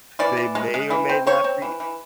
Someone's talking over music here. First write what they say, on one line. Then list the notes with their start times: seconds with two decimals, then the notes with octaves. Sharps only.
They may or may not be
0.19 E3 D5
0.37 E3
0.55 G#3
0.74 G#3
0.90 E3
1.09 C4
1.27 C4 C#5
1.44 C4
1.62 E3
1.80 E3